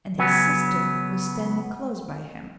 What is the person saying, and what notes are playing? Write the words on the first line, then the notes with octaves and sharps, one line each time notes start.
And his sister was standing close by him.
C#3 F#3 B3 C#4